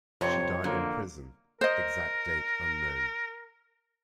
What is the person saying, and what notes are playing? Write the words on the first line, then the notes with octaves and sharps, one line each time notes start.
She died in prison, exact date unknown.
F2 C3 C4 C#5
D3 F3 A#3
A#4 C5 D#5